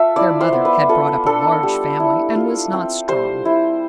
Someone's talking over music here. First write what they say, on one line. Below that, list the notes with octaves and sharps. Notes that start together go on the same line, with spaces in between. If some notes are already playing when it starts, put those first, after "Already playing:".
Their mother had brought up a large family, and was not strong.
Already playing: F4 A4 E5
E4 D5
C5
B3
B4
F4 A4
D4 A4
G3
E4
F4
C4
G3 C5
E4